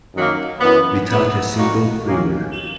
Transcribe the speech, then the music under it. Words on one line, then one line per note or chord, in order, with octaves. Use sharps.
Without a single quiver.
F#2 D#3 F#3 A#3
F#2 E3 B3
G#2 F#3 B3 E4
A#2 A#3 D#4 F#4
F#2 D#3 A#3 C#4